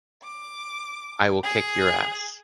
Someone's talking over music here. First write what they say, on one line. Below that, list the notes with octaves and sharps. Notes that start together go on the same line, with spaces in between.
I will kick your ass.
D6
G#4